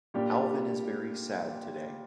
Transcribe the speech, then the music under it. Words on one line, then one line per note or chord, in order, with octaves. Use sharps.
Alvyn is very sad today.
A#2 G3 D4 G4